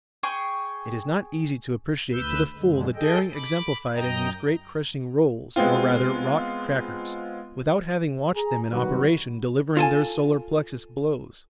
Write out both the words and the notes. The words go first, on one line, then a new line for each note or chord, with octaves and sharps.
It is not easy to appreciate to the full the daring exemplified in these great crushing rolls, or rather "rock-crackers," without having watched them in operation delivering their "solar-plexus" blows.
G#4 G5 C#6
D2 B4 E6 G6
F#2 D3 G#3
G#4 A4 D#5 G5
B5 D6
F#2 D#5 G5 A#5
G#3 B3 C4 F4
G#4 A#5
G2 D#3 F#3 B3 F#4 B4
F4 A4 G#5